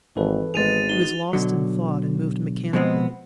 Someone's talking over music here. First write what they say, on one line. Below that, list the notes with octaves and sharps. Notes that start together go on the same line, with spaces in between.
He was lost in thought and moved mechanically.
G#1 E3 A4 B4
G#1 G#3 B3 G#4 A6 D#7 F7
D#4 F#4 G7
B2 D3 F#3
B2 F3 G#3 B3 C4